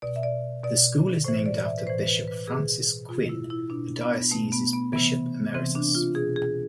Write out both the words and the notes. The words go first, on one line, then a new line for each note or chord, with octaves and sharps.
The school is named after Bishop Francis Quinn, the diocese's bishop emeritus.
B2 D5
E5
D5
B2 D5
A2 E3 C5
D5
D5
E5
B4
A2 E3 C5
B4
B4
B2 G#4
B2 F4
E4
E4
B2 D4
B3
B2 A3
B3
B3
C3 E3 B3
C3 E3 C4
D4
F4
B2 G#4
G#4